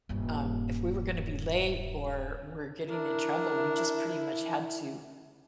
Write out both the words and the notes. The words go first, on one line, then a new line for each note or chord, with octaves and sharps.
um if we were gonna be late or we're getting in trouble, we just pretty much had to
D#1 G2
D4 E4 A#4